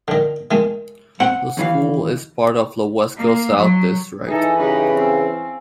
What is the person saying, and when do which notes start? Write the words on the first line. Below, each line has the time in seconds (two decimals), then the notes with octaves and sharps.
The school is part of the Wesco South District.
0.08 D3 D#3
0.51 D#3 G#3
1.20 C4 F#5
1.57 D#2 E3 F5
3.16 A#3
3.55 F#3
4.27 E3 D#4 G#4 A4 G#5
4.59 C#3 D#4 G4 B4
4.96 C4 C#4 F5 E6